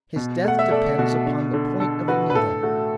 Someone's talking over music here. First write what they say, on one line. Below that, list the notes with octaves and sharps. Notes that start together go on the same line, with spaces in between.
His death depends upon the point of a needle.
B2
A3 F#5
E5
A3 A4 D5
B2 F#4
D3
D3
D3 A4
D3 F#4 B4
B4
A2 A4
A3 F#4